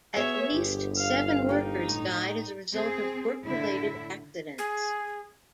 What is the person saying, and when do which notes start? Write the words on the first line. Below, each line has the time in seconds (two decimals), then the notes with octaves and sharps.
At least seven workers died as a result of work-related accidents.
0.16 B3 F#4 G#4 C#5 E5
0.53 G1 G4
0.98 F5
1.49 A#3 D#4 G4
1.88 A2
2.73 C4 G#4
3.44 A2 D3 E4 E5
4.58 G#4